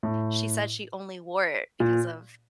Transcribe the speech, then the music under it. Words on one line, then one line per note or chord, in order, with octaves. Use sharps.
she said she only wore it because of, eh
A2
A#2